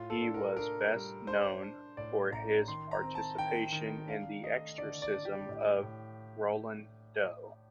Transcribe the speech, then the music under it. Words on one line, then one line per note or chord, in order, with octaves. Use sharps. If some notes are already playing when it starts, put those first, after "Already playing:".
He was best known for his participation in the Exorcism of Roland Doe.
Already playing: A2 F4
A4
D4
A#4
D4 A#4
G3
D4 C5
D4
A2 D5
A1 A#5
D#3 C6
A#5
C4
A5
D#3 G5
D#3
D4 F5
A3 D#5
D3 D5
D5
D4
G4
A2
A2